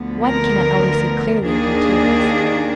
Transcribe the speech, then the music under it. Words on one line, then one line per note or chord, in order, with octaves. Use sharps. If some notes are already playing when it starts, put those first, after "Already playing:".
One cannot always see clearly--through tears.
Already playing: D2 D3 F3 B3
A#4
D#2 D#3 A#3 D4 G#4